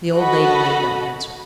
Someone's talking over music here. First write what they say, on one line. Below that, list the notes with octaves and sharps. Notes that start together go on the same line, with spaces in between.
The old lady made no answer.
F#4 A4 D#5 F#5 B5